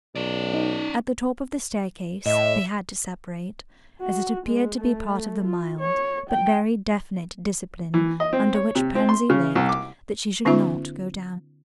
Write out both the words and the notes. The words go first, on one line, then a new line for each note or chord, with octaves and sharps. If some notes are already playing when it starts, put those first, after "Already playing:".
At the top of the staircase they had to separate, as it appeared to be part of the mild but very definite discipline under which Pansy lived that she should not go down.
B1 C#4 D5
D#4
A2 D#5 E5
F#4
G#3
A3
F4
C#5
G5
E3
D#5
C4
C#5
C3
C4
C6
C#3
C2
D6
D3 B3 C#4 D#4 F4 E5